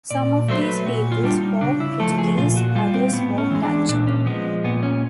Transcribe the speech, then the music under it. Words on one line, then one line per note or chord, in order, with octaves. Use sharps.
Some of these people spoke Portuguese, others spoke Dutch.
A#2 D5
F#3 A3 C5
B4
A#2 F#4
F4
G3 D4
D#4
C#3 D4
E4
F3 A3 A4
G#4
A#2 F4
F#4
G3 F4
C4
A2 B3
C#4
E3 G#3
D4
A#2 D4
C#4
F3 G#3 B3
A#2 B3
C#4